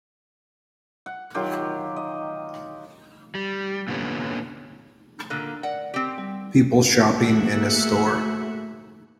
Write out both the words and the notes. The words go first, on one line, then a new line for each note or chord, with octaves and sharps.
People shopping in a store.
F#5
D#3 F#3 F4 G4
D#5
G3
A#2 D3 A#3 B3 C#4
A#2 D3 A#3 F#6
A#4 D5 F#5
C4 G4
G3
A3 A#3 F#4 G#4 E5 F#5